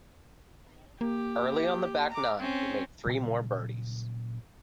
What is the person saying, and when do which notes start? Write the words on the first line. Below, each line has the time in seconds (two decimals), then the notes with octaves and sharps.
Early on the back nine he made three more birdies.
1.01 A#3 G4
2.10 A#5 D6
2.40 C4 C#4
3.05 A#2 C#3 F#3 G3